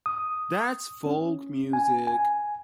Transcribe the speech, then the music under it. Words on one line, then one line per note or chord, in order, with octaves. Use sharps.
That's folk music.
D#6
C#4
G#5
G#5